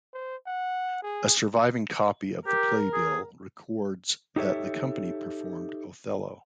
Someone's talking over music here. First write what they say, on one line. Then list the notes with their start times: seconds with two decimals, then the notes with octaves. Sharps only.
A surviving copy of the playbill records that the company performed "Othello".
0.13 C5
0.46 F#5
1.03 G#4
2.47 G4 A#4
2.93 G#4
4.36 D#4 G4 A4 C#5 E5